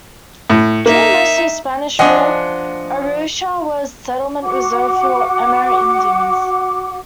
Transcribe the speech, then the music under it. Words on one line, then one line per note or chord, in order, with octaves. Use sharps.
During most of the Spanish rule, Arouca was a settlement reserved for Amerindians.
A2
A#3 D#4 E5
F3 D4 D#5 F#5 G#5
F#4 F#5 D6